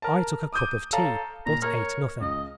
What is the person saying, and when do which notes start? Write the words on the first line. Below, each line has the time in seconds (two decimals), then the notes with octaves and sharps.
I took a cup of tea, but ate nothing.
0.02 A#4 A5
0.53 D6 D#6 G6 D#7
0.93 A4 C#5 F5 A5 A#5
1.46 A#2 A#5
1.62 A#4 C#5 A#5 F6
2.21 C#2 D#5